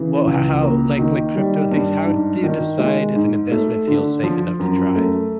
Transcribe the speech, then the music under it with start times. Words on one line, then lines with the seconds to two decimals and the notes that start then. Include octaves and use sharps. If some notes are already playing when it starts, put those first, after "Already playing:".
well, h how, like like, crypto things how do you decide if an investment feels safe enough to try?
Already playing: C#3 E3
0.27 C#2
0.63 A#3
0.99 D#3
1.35 G3
1.71 G2
2.07 G#2
2.44 D#3
2.79 G#3
3.16 G#2
3.51 A3
3.88 D3
4.23 F3
4.59 F#2
4.96 A3